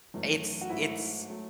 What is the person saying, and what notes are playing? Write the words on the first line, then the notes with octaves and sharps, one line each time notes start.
It's it's
F#2 E3 A3
F#4
G#2 F#3 A3 E4
F#3 A3